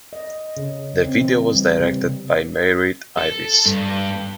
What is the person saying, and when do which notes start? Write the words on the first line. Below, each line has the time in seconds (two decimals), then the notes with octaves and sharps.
The video was directed by Meiert Avis.
0.13 D#5
0.57 C#3
1.04 C4
1.21 E3
1.54 G3
1.80 C3
3.18 A4
3.66 G2